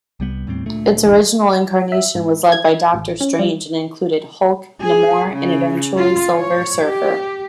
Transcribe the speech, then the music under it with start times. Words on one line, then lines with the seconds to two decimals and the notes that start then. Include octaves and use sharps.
Its original incarnation was led by Doctor Strange and included Hulk, Namor, and-eventually-Silver Surfer.
0.20 C2 G3 B3
0.47 D#2 A2 G3 C4
0.66 D2 A#2 D3 A3
1.06 D1 G1 D3 E3
1.92 E5
2.15 G#2
2.52 G#6
2.94 A1
3.21 C#4
3.39 G3
4.83 G#4
5.30 C#3
5.96 F4
6.36 C#5
6.84 G4